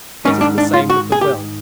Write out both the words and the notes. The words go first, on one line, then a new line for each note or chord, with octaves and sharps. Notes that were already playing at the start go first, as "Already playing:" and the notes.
It is the same with the will.
G#2 D#3 C#4
D4
D4
F4
F#4
G#4
G4